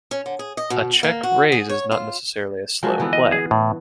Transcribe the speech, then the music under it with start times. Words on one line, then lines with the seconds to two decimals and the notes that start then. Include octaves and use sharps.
A check-raise is not necessarily a slow play.
0.11 C#4
0.26 D3
0.39 G#4
0.57 D#5
0.70 B2
1.03 A#3
1.23 F#4
1.52 G#4
1.69 C#5
1.91 F4
2.83 F3 F#3 G#3
2.99 D3 E3 B3
3.13 D#5
3.32 G#4
3.51 A2